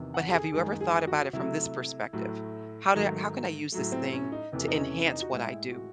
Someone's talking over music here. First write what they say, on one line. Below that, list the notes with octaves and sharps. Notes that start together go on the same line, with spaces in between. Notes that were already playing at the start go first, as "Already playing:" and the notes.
but have you ever thought about it from this perspective? How do how can I use this thing to enhance what I do,
Already playing: E2 C3 D#3
F#5
A4
G#4
F#2 D#3 G#3 G#4
G#4
F#4
C3 F#3 A3 E4
A2 F#3 A3
G#2 D#3 F#3 A3
A2 F#3 A3
C4
C#4
D#4
E2 C3 E3 A3
D#4
C#4
D#4
F#4
A2 G#3 E4
F#4